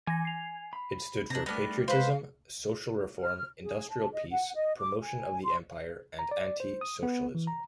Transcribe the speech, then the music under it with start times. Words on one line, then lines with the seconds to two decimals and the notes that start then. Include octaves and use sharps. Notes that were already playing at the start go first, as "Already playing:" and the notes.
It stood for patriotism, social reform, industrial peace, promotion of the Empire and anti-socialism.
0.07 E3 G#5 A#6
0.25 C7 F7
0.73 B5
1.30 C3 D4 A#5
1.46 G3 A3 B3 D4 D6 F6 A#6
1.88 G#3 B4 C5 F5
3.19 F6
3.63 G#4
3.90 A5
4.12 D#5
4.31 F#5
4.55 D#5
4.78 D6
5.01 G#5
5.44 C6
6.19 A#5
6.31 D5
6.60 C5
6.81 D#6
7.03 B3
7.35 E3
7.47 A#5